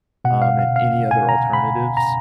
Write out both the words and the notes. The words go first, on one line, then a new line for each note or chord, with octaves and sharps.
um, and any other alternatives
B2 F#5
F5
F5
F5
G#5
A#5
B5
A#5